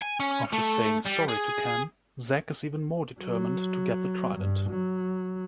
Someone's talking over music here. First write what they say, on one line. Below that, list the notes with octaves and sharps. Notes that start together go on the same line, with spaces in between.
After saying sorry to Cam, Zac is even more determined to get the trident.
G#5
C#4
A3
G3
G#4
F#3
G2
F#3